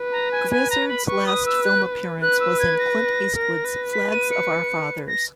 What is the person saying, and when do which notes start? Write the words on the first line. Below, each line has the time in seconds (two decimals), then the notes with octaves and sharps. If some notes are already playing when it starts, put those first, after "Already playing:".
Grizzard's last film appearance was in Clint Eastwood's "Flags of Our Fathers".
Already playing: B4
0.12 A#5
0.32 G#5
0.51 G#5
0.70 A#5
0.89 B5
1.07 B4 C#6
1.27 D#6
1.46 E6
1.65 F#6
2.22 B4 F#6
2.40 E6
2.60 G#6
2.79 A#6
3.36 A#4
3.65 B4
3.93 B6
4.11 D#7
4.31 C#7
5.08 A#6